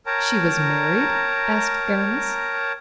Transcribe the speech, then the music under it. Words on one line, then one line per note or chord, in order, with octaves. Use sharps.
"She was married?" asked Aramis.
A#4 C#5 G5 A5 A#5